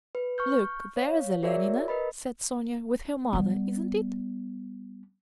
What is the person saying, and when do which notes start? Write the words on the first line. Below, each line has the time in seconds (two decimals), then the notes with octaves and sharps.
"Look, there's Alenina," said Sonya, "with her mother, isn't it?"
0.15 B4
0.38 C#6 F6 G6
0.96 C#5 F5
1.43 F#4 G#4 A#4 C#5 D5 E5
1.88 A#4 B4 D#5 B5
3.33 G3 B3